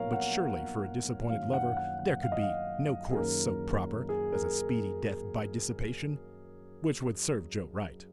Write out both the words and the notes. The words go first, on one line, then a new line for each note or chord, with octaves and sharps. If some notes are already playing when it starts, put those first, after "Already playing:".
But surely, for a disappointed lover there could be no course so proper as a speedy death by dissipation--which would serve Joe right.
Already playing: A#1 A#2 F#3 B3 D#4 A#4 C#5 F5
F#5
F#2 D#3 F#3 A#3 F5
F#5
F#5
F#5
F5
D#5
F5
G#4
F#2 D#3 A#3 C#4 A#4
G#4
A#4